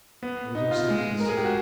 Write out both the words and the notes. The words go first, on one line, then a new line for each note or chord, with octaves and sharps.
There was no sound of pursuit.
B3
D#4
F4
G#3
G#3 A#4
G#4
G4
F#4